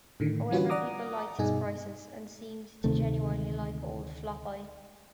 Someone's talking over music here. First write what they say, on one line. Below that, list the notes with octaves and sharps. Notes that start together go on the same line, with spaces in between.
However, people liked his prices, and seemed to genuinely like old 'Flopeye.
A2 D3 D#3
E3 G3 C#4 F4 F#4 B4
D5 F#5 A#5 D6 D#6
G2 B2 D#4 G#4 G#5
D2 C3 D#3 A3